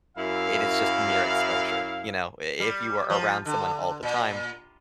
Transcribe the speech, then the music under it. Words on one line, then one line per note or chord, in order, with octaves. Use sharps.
it is just mere exposure. You know, if you are around someone all the time,
F#2 E4 F5
G3
F3
D3
A#2